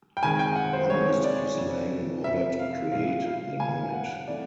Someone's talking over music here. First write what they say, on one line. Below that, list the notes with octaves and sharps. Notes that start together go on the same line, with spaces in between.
One was to be slain in order to create the night.
G5
C3 D#3 G#3 G#5
G5
F#5
C5
C3 D#3 G#3 C#5
D5
F2 C3 F3
F2 C3 F3 E5
F5
A#2 G3 F5
F5
A#2 G3 G#5
F#5
C3 E3 A3 D5